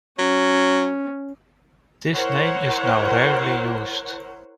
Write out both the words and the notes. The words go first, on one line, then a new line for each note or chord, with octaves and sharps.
This name is now rarely used.
F#3 C#4
E4 A#4 C5 C#5 F#5